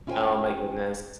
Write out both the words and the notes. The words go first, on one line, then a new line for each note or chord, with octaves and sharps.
Oh my goodness.
C#4 E4 F4 C5 G5 G#5